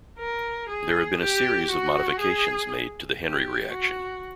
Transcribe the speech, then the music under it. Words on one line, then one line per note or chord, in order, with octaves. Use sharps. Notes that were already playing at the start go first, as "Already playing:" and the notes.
There have been a series of modifications made to the Henry Reaction.
A#4
G#4
G4
F#4
G#4
G4
F#4